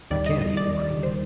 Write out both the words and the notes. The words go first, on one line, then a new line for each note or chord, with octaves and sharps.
I can't eat money!
D#2 D#3 G3 D5
D#5
D#5
D5
C5